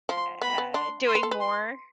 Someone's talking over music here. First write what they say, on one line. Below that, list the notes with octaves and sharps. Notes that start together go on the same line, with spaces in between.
uh, doing more.
F3 C6
B3 B5
B3
D4 C6
C6
B4
A4
B4
C6